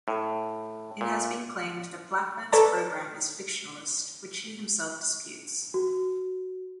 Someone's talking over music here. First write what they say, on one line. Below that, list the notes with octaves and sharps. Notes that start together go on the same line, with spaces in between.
It has been claimed that Blackburn's programme is fictionalist, which he himself disputes.
A2
A#2
A4 B4 C#5 D5 A5 A#5
F#4